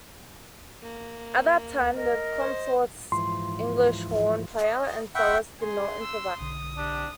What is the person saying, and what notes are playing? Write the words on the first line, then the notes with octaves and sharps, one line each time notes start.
At that time, the Consort's English horn player and cellist did not improvise.
A#3
A#4 D#5
C5
G#2 E3 F3 C6
D#5
E5 F#5 G5 B5 C#6
C#3 G#4 C6
E6
B1 D3 D#6
C3 D4 G4